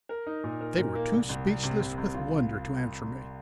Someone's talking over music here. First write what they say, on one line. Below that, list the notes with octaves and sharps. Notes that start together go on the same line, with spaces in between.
They were too speechless with wonder to answer me.
A#4
D#4
A#2
A#4
A#2
A#3
C2
C2
C2
C3
C2
C2
F4